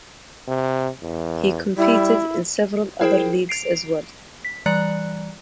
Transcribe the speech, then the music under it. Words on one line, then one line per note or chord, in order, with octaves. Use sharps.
He competed in several other leagues as well.
C3
E2
G3 E4
E4 G#4 A#4 C5 G5
C7 D7 F7
B6
E3 G3 D5 A#5 F#6 C#7